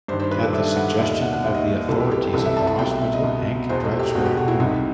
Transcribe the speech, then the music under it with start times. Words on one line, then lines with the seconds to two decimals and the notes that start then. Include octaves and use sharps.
At the suggestion of the authorities at the hospital, Hank drives her home.
0.08 G2 C5
0.12 D#3
0.20 C5
0.31 B4
0.43 A4
0.53 G2 D#3 E5
0.76 F#5
0.98 D#2 D#3 E5
1.10 D#5
1.21 F#5
1.33 F#5
1.44 D#2 D#3 E5
1.55 D#5
1.88 C2 C3 E3 A4
2.00 G4
2.11 G4
2.34 C2 C3 E3 A4
2.45 E5
2.57 A5
2.67 A5
2.79 C2 B2 G5
2.90 E5
3.01 E5
3.14 D#5
3.24 C2 B2
3.69 E2 B2 C5
3.85 A4
3.99 G4
4.15 E2 B2 F#4
4.26 G4
4.37 F#4
4.48 E4
4.60 C2 C3 E3 D#4